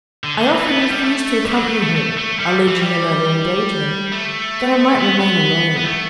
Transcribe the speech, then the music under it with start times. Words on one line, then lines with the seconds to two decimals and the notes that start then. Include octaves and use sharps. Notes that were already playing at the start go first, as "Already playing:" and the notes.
I often refused to accompany him, alleging another engagement, that I might remain alone.
0.24 D3
0.38 D3
0.52 E3
0.67 B3
0.79 A3
0.91 G3
1.04 A3
1.44 G3
1.53 F#3
1.67 A3
1.82 A3
1.96 A3
2.18 A3
2.39 G3
2.68 E3
2.82 G3
4.12 A3
4.98 B3
5.20 B3
5.77 B3
5.84 A3